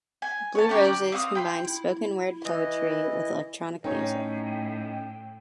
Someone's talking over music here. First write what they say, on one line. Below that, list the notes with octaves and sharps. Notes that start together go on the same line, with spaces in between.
Blue Roses combines spoken word poetry with electronic music.
G#5
C#5 A5
C#4 F#4 G4 A#4
D5
C4 F5 F#5 D#6
G5 B5 C6
E4
E3 D#5
A2 C#4 D#4 C#5 G5